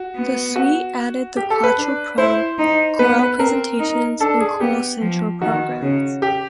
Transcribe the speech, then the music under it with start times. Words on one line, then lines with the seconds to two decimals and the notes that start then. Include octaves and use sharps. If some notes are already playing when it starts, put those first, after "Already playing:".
This suite added the Quattro Pro, Corel Presentations and CorelCentral programs.
Already playing: F#4
0.16 B3
0.56 F#4
1.36 G4
1.50 A4
1.64 B4
1.78 D4
2.18 E4 C5
2.58 D#4
2.99 B3 B4
3.19 B4
3.39 C4 A#4
3.80 D#4
4.20 D4 A4
4.40 G#4
4.60 B3 G4
5.01 F3
5.41 D#3 F#4
5.82 C#3
6.22 G4